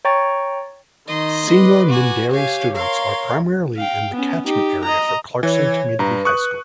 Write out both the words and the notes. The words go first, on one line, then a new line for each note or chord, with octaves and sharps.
Senior Mindarie students are primarily in the catchment area for Clarkson Community High School.
C#5 G5 A#5 C#6 A6
D#3 D#5 C6
B4 D6
F#4 G#5
G4 C#5 F5 G#5
A#4 C#5 F5 C6
F5 G5
B3 C#4
D#4 G4
D#5 A#5
E3 C#5
G2 B4 A#5
C#6 D#6 F#6